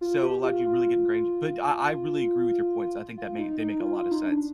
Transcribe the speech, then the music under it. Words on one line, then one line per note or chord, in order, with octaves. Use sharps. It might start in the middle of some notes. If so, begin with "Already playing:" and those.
so it allowed you really get ingrained, but I I really agree with your points, I think that may they make a lot of sense.
F4
G4
F4
F4
F4
D#4
D#4
F4
F4
D#4
D4